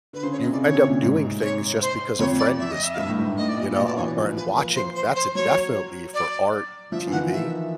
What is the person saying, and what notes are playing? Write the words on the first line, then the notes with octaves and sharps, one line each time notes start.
you end up doing things just because a friend was doing it, you know? Uh, and watching, that's definitely for art and TV,
D3 B4
C#3 C5
C#5
D#5
C3
C#3 D5
D3 C#5
C3
A#2
G#2
C#5
C5
F2 C#5
D5
E5
D#5
E5
F5
G2 E5
A2
G#2
A2 D#5
D5
A#2
D#5
A#2 D5
B2 D#5
D5
E3 C#5
B4
F3 B4
B4
B4
C5
C5
C5
F#3 C#5
D5
F3 E5
E3
D#3 F#5
E5